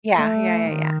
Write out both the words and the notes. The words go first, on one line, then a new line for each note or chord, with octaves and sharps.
Yeah. Yeah, yeah, yeah.
A3
D#3